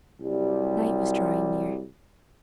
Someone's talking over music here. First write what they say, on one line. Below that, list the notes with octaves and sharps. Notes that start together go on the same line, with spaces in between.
Night was drawing near.
C2 F#3 G3